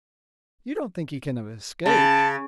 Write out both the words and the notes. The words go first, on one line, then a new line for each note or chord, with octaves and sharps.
"You don't think he can have escaped?"
C#3 A5